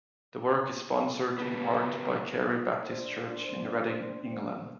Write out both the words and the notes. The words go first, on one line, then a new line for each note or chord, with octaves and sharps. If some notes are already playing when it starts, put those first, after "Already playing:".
The work is sponsored, in part, by the Carey Baptist Church in Reading, England.
C#3 B3 B4
D4 C5